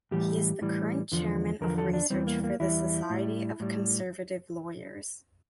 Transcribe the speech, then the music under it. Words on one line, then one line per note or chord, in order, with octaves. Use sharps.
He is the current Chairman of Research for the Society of Conservative Lawyers.
A2 E3 G3 G4
A2 E3 G3
E2 D3 F3
E2 D3 F3 A#4
A4
D4
E2 E3 G3 C4
A#3
A#3
E2 E3 G3 E4
A2 G3
A2 G3